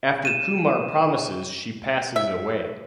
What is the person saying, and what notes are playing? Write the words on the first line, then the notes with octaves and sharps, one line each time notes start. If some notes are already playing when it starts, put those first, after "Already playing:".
After Kumar promises she passes away.
D#7 E7
E5